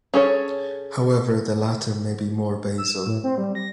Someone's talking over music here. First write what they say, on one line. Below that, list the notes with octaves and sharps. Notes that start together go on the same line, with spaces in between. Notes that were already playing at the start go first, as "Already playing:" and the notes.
However, the later may be more basal.
C#4 G#4 A4 C#5
E6
A2
C4
G3
A#6